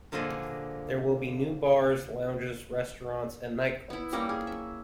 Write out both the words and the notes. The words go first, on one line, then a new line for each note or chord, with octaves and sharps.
There will be new bars, lounges, restaurants and nightclubs.
A#2 D3 F3 G#4 D#5
B3 E4
G3 A#3 C#4 A#4
G#4
E5